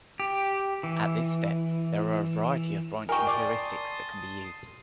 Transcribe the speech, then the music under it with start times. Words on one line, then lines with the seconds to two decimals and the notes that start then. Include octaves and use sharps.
At this step, there are a variety of branching heuristics that can be used.
0.20 G4
0.83 E3
3.09 A#4 D#5 G5 G#5 C#6
3.27 D5 A5 C6 D#6